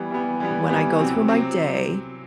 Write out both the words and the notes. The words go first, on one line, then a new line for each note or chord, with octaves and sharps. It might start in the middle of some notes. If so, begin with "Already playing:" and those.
when I go through my day,
Already playing: E3 G3 B3
E3 G3 B3
E3 G3 B3
E3 G3 B3
C3 F#3 C4
C3 F#3 C4